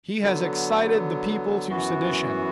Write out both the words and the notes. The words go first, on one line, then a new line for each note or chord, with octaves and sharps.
He has excited the people to sedition.
D3 F#3 B3
F#2 E3 B3 F#4